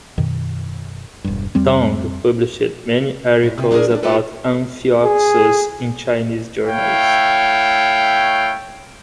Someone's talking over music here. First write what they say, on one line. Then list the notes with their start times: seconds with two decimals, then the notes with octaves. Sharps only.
Tong published many articles about amphioxus in Chinese journals.
0.18 F#2 B2 D#3
1.24 E1 G2
1.55 F2 G3 C4
3.43 A2
3.58 C3
3.71 D4 D#4 F#4 G#4 A#4
3.91 C#4 D4
4.03 A#3 E4 F4 G4 A4 B4
5.04 G#4
6.66 A3 E4 C#5 F5 G5